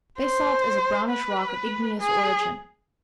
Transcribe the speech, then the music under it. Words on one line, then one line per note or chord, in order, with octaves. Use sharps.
Basalt is a brownish rock of igneous origin.
C5
B4
G#4